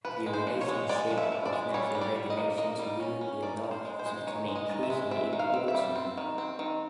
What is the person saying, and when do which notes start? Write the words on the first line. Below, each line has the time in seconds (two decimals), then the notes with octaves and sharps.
The relationship of national regulations to European law is becoming increasingly important.
0.05 F3 B4
0.26 G#3
0.33 C5
0.47 F3
0.61 C#5
0.69 G#3
0.89 G#3 D5
1.10 F3
1.18 E5
1.32 F3
1.46 D5
1.53 G#3
1.74 G3 C#5
1.95 G3
2.01 D5
2.16 G3
2.30 D#5
2.37 A#3
2.58 A#3 D#5
2.79 G3
3.00 C#4
3.21 C#4
3.43 D#3 D5
3.64 D#3
3.71 C5
3.85 G#3
3.99 C5
4.06 G#3
4.27 D#3 C#5
4.48 G#3
4.55 D#5
4.69 D#3 D#5
4.83 E5
4.90 G#3
5.11 C4 E5
5.33 D#3
5.39 F5
5.54 C4
5.68 E5
5.75 G3
5.96 C4
6.17 D#3
6.38 C4
6.59 D#3